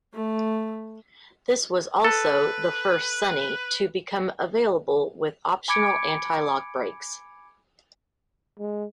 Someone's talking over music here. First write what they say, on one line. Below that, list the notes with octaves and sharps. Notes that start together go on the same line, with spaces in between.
This was also the first Sunny to become available with optional anti-lock brakes.
A3
A4 B4
G#5 B5 D6 G#6 C#7 D7
G#3